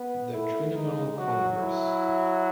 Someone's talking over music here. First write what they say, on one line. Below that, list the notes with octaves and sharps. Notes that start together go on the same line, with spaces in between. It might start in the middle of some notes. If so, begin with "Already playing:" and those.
The Trinomul Congress.
Already playing: B3
A3 E4
G#3 D#4
F#3 F#4
E4